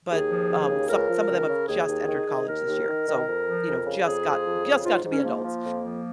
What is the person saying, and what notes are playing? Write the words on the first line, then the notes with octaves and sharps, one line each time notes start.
but, um, some some of them have just entered college this year so you know, just got just got to be adults,
D#2 G#4
F3
D#2
C#3
C#2 A#4
F3
C#2
C#3
D#2 G#4
D#2
D#3
D#3
D#2 A#4
D#2
D#3
D#3
F2
F3
F2
C#3
F2 G#4
F3
F2
C#3
G#2 F4
G#2
C#4
F3 A#3
F3
F2
F3